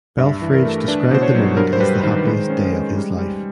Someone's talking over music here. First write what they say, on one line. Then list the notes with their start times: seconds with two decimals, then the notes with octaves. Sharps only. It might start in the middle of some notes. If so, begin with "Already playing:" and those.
Belfrage described the moment as the happiest day of his life.
0.19 G2 E5
0.42 E3
0.54 A#4
0.65 A3
0.88 D4 B4
1.11 B2 C5
1.23 C#5
1.35 F#3
1.57 G2 A#4
1.73 C5
1.80 G3 B4
2.03 D#3 C5
2.27 G#3
2.50 C#4
2.73 G#3
2.96 G3
3.19 G3